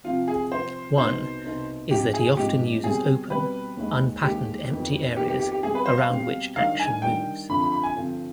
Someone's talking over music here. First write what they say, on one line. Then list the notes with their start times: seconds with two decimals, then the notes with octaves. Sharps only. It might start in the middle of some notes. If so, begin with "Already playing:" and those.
One is that he often uses open, unpatterned empty areas around which action moves.
0.04 C3 F3 C4 F4
0.28 G#4
0.51 C3 F3 C4 C5
0.97 C2 B2 B3 D#4 C5
1.44 C2 B2 B3 D#4
1.91 G#2 F3 G#3 C4 G4
2.14 G#4
2.37 G#2 F3 G#3 C4 G4
2.83 B2 G3 C4 G4 G#4
3.30 B2 G3 C4 G4 B4
3.77 D#2 D#3 G#3
4.23 D#2 D#3 G#3 G4
4.69 F2 D#3 B3
5.17 F2 D#3 B3 G4
5.28 G4
5.40 G4
5.52 G4
5.63 B2 G3 C4 G4 G#4
5.75 B4
5.86 C5
5.98 F5
6.10 B2 G3 C4 G4
6.56 D#3 G3 D4 F5
6.79 G#5
7.02 D#3 G3 D4 G5
7.49 G2 D3 F3 C4 B5
7.61 B5
7.72 B5
7.83 G#5
7.95 G2 D3 F3 C4